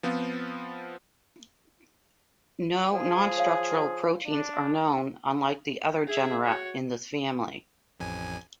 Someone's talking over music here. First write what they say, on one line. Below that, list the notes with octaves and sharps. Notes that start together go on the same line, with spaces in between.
No nonstructural proteins are known unlike the other genera in this family.
F3 B3 C4 F4
F3 G#4
C#5 F5
D4
G#4 E5
F#4 C#5
A1 F2 G#5